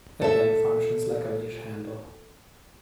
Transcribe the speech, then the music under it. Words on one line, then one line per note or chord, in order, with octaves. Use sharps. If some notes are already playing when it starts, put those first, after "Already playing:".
It then functions like a leash handle.
A4 E5